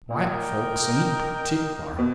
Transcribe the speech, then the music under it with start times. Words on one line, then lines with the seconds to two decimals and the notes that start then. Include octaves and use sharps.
White folks ain't partic'lar.
0.10 A#2 D#4 A#4 D#5 G5
1.99 B2